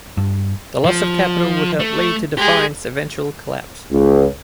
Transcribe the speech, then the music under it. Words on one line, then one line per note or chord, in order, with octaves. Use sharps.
The loss of capital would help lead to Defiant's eventual collapse.
G2
F3
A3
G#3 G4 G#4
C#2